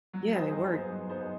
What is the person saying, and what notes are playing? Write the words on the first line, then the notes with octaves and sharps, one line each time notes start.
yeah, it worked,
F#3
B3 D#4 G#4 C5
F#3
B3 D#4 G#4 C5
F#3
B3 D#4 G#4 C5